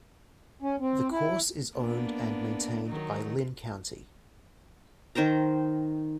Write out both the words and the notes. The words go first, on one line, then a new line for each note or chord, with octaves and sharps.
The course is owned and maintained by Linn County.
C#4
C4
E4
A#3 B3 D4
D#3 F#3 D#4
D#3 C5 G5 A#5